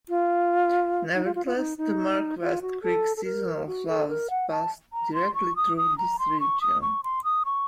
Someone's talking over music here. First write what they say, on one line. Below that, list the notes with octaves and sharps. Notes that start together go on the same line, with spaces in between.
Nevertheless, the Mark West Creek's seasonal flows pass directly through this region.
F4
D#4
F4
F4
F4
D#4
D#4
F4
F#4
A4
A4
A#4
F#4
A4
A#4
F#5
A5
A#5
C6
C#6
D#6
D#6
A#5
C6
C#6
D#6
C#6
C6
D#6
C#6